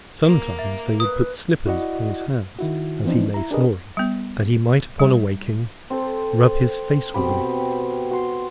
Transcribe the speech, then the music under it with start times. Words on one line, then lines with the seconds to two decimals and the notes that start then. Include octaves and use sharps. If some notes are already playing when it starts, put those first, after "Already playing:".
Sometimes they would put slippers upon his hands; as he lay snoring, that he might, upon awaking, rub his face with them.
0.24 A#3
0.59 E5
1.00 B4 D#6
1.66 E4 F#4 D5 D#5 F#5
2.59 D#3 E4 F#4
3.05 E3 F3 B3 C4 D4 D#4
3.34 E4 A#5
3.51 D4 G4 G#4 A#4 B4 D#5
3.97 G3 B3
5.00 G3
5.90 C4 A4 C5
7.14 B2 C4 G4 B5
8.11 F#4 C6